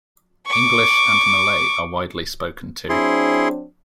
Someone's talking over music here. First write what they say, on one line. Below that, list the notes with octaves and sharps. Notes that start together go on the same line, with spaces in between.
English and Malay are widely spoken too.
C#6 D6
F#3 C4 D4 E4 G#4 C6